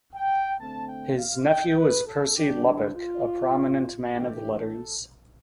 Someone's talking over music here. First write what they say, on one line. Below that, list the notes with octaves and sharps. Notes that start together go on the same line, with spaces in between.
His nephew was Percy Lubbock, a prominent man of letters.
G5
D3 A3 C4 A5
G5
F5
G5
B4
A4
D3 G3 D4 G4
E4
F4
E3 A3 D4 G4
A4